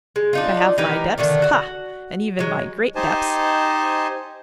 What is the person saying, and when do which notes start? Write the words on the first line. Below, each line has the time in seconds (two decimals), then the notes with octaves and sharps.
But I have my depths; ha, and even my great depths!
0.16 G#3
0.33 D4 D#4 F4
0.78 E3 D#4 G4 A#4
1.18 D3 D#3 A3 D4
1.42 F#4 F#5
2.39 F#3 G#3
2.95 D#4 G4 C5 D#5 G#5 A5